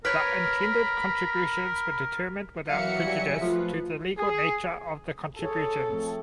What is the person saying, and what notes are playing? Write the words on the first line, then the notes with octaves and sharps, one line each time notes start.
The intended contributions were determined without prejudice to the legal nature of the contributions.
A#4 B4 C#5 B5 F6 B6 D7
E3 F#3 F#4 A#4 E5 F5 C#7
G3 G#5
F3 A3 F4 B4
G#4
G#4 A4 C#5
F3 A3 C4